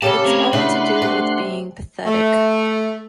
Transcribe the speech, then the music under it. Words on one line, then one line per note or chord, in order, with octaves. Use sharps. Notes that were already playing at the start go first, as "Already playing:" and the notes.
It's all to do with being pathetic.
C#3 A#3 C#4 G4 A4 A5
A3 C4 A#4 G#6
C#3 A3 D4 E4 B4 F#5 C6
C3 A3
A3